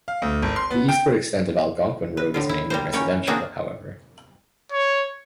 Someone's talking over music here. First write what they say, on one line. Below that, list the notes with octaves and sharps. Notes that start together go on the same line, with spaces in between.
The eastward extent of Algonquin Road is mainly residential, however.
F5
D2
G#1
C6
B3
G5
B4
A2 D3 F4
E4
G3 A#3 C5
E3 A#3 C#4 C#5 G5
C3 A#3 C4 D4 F#4 G#4
C#5